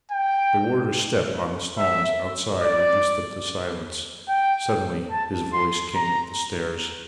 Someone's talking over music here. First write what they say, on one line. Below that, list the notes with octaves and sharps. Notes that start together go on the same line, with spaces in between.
The warder's step on the stones outside reduced them to silence. Suddenly his voice came up the stairs.
G5
E5
D5
G5
A5
C6
A#5